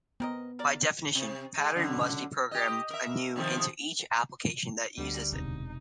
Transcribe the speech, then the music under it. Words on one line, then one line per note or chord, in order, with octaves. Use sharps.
By definition, a pattern must be programmed anew into each application that uses it.
B3 C4 A#4 D#5
A#4 D5
C3
G#3
F#2 B2 D3
G4 D#5
A#4 E5
C3 D#3 F3
D2 D3 G3
E1 C3 D#4